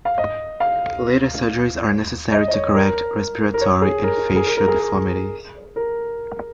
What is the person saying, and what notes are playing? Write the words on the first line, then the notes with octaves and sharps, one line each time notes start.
Later surgeries are necessary to correct respiratory and facial deformities.
F5
D#5
F5
D#5
D#5
C#5
A#4
A#4
C#5
G#4
A#4
G#4
A#4
A#4
G#4
A#4
A#4